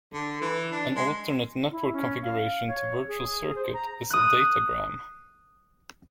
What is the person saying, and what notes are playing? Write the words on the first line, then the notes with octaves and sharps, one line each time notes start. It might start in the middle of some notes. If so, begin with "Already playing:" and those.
An alternate network configuration to virtual circuit is datagram.
D3
E3
D4
G#3
E4
C#4
F5
C#5
G#4
C5
A#5
D#6 F#6